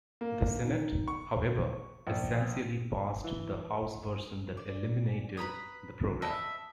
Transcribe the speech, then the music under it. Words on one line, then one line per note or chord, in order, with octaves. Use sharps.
The Senate, however, essentially passed the House version that eliminated the program.
A#3
D#3
C#6
A#1
E3
D5
B4 A#5 B5 D#6
D#5 E5 A5 B5